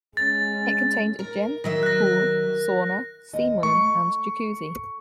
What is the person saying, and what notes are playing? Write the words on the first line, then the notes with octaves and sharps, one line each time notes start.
It contained a gym, pool, sauna, steamroom and jaccuzzi.
G#3 C#4 A6
A#4
D#3 F#3 A#4 E5
F#6 A#6
D#2 D#5
A3 C#6